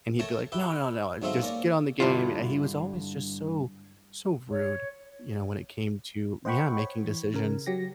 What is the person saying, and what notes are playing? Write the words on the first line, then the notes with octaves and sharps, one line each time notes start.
And he'd be like, "No, no, no, uh, just get on the game," and he was always just so so rude, you know, when it came to Yeah, making decisions,
A3 A#4 C#5 G5 A5
G4 B4 E5 G5
G#2 F#3 A3 C4 E5 F5
A#3 C#4 A#4 D5
G2 D3 E4 F4
C#5
C5 D#5 F#5 G5 B5 C#6
C#5
E3
C#3 A#4
F#3 G4 A#6